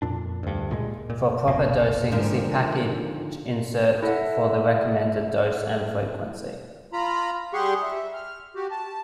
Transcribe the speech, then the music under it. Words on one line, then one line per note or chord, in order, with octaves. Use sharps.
For proper dosing, see package insert for the recommended dose and frequency.
F2 A#2 D4
D2 G2
C#2 A#2 F3 G#3
A#2
F1 A#1 B2
D#2 G#2 D3 F3 D4 A#4
E4 A4 E5 F#5
F4 A#5 B5
G3 G4 G#4 F#5 C6 C#6
E5
F6
F#4 G4
A5